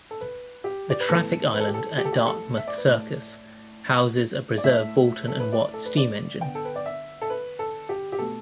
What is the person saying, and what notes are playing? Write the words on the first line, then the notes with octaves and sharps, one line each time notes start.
The traffic island at Dartmouth Circus houses a preserved Boulton and Watt steam engine.
A4
B4
G4
D5
B4
A2 E3 B3 A4
B4
A4
G4
A4
G4
A4
G4
A4
E5
D5
B4
A2 A3 D5
D5
A2 A3 E5
A4
B4
D5
A4
B4
D5
D3 B3 G5
A4
B4
D5
E5
A4
B4
A4
G4
G4
B2 A3 A4